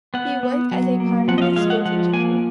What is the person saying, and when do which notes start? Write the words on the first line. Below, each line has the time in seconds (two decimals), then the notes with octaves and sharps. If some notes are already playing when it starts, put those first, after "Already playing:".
He worked as a primary school teacher.
0.14 B3 F#5
0.43 B3
0.71 F#3
1.00 A#3
1.28 F3 F#5
1.38 D#5
1.42 F5
1.56 G#3 F5
1.70 F#5
1.85 F3 F#5
2.13 A#3 G#5